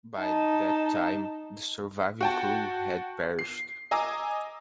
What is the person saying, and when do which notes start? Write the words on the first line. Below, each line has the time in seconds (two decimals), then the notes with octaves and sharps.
By that time, the surviving crew had perished.
0.19 D#4 A5
2.21 F#4 G5 A5
3.39 C7
3.91 D#5 G#5 A#5 D6 E6